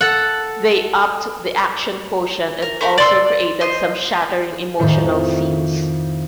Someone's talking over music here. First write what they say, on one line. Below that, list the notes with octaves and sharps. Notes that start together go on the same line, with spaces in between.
They upped the action quotient and also created some shattering emotional scenes.
A4 F#5
A#4
A3 A#4 B5
D5 C6 E6
C5 D#5
F2 A2 D#3